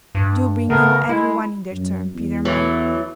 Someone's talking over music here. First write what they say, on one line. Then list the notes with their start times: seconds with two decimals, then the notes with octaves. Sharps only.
Do bring in every one in their turn, Peter mine.
0.15 G2
0.70 C#3 A3 B3 A#4
1.09 G#3 E4
1.72 F#2
2.14 E2
2.45 E3 F#3 A3